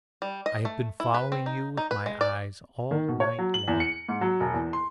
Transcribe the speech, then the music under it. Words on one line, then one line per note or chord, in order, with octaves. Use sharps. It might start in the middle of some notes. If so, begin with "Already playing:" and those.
I have been following you with my eyes all night long.
G3
D#5
A3
E4
B4
C4
D#4
D#4
B4
G#3
D5
D#3
B2
C#5
F#3
F#7
E2
C#7
G#2
F#3
E1
E2
C6